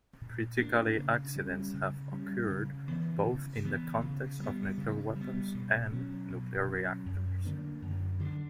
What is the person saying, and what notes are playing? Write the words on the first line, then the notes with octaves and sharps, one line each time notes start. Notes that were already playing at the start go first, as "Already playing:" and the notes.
Criticality accidents have occurred both in the context of nuclear weapons and nuclear reactors.
A#2
A#3 D4
C#3
G3 C#4
C#3
G3 C#4
C#3
E3 B3
C#3
E3 B3
C#3
G3 B3
C#3
G3
B3
B2
F#3 C#4
B2
F#3 C#4
F#2
D3 A#3 D4
F#2
D3 A#3 D4